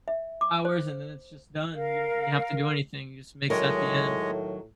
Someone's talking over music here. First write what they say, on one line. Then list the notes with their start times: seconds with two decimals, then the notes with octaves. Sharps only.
hours, and then it's just done. You don't really have to do anything. You just mix at the end.
0.08 E5
0.41 D6
0.65 C5
1.73 A#4 F5
3.50 A2 D#3 F#3 G#3 A#4 C#5 D#5